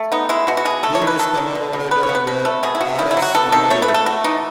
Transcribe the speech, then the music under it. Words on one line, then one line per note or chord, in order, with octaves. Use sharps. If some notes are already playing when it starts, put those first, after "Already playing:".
Beal is commemorated on the Arras Memorial.
Already playing: A3
B3 D#4
G#3 E4
B2 F#4
F#4
B2 G#4
A3 A4
C#5
D#3
B4
D#3 A4
D#3
B2
B2
B3 B4
C#5
B3
B4
B2 B4
A3 A4
B2 G#4
E4
B2 F#4
D#3 E4
E4
F#3
F#4
B3 A4
D#3 A4
A3 C#5
B4
A3
A4
A3 F#4
E3 D#4